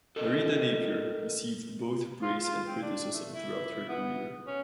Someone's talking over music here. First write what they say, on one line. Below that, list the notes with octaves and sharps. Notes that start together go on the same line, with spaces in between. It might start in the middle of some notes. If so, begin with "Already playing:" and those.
Marita Napier received both praise and criticism throughout her career.
A4 A#4 D#5
F4
F4
C4
D4
A3
E4
B3
C#4